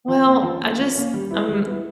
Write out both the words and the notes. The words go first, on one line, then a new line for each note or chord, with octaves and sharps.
"Well, I just I'm
F3
A#3 C#4
F3
A#3 C#4
F3
A#3 C#4
G3
B3 E4
G3
B3 E4